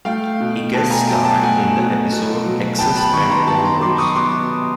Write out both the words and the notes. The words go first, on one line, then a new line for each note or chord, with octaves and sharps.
He guest starred in the episode Exes and Oh-No's!
A3 F5 G5
B2
B2 G5 A5
G#5 A#5
F#3 G5 A5
G5 A5
A3 F#5 G#5
B2
B2
F#3
B3 G5 A5
A5 B5
D#3 B5 C#6
A#5 C6
D#3 A5 B5
A#5 C6
F#3 C6 D6
C#6 D#6
B3 C6 D6